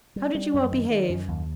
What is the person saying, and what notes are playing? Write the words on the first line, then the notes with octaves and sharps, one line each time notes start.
How did you all behave?
G3
G3
F#2
D#3
D#3
F#2
D#2